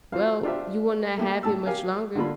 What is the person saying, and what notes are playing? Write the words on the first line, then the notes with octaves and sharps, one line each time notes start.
"Well, you will not have it much longer."
F4 F#4 C5 F5
D4 F4 G4 C5 E5 F5
A3 A#3 G4
A2 A5 E6
G4 A#4 F5 G#5
D3 G3 A#3 F4 B5